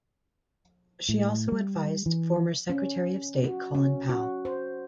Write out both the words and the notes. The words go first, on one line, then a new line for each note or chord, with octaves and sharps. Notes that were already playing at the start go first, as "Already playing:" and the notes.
She also advised former Secretary of State Colin Powell.
A2
G3
E3
C#4
F#4
C#4
F#4
C5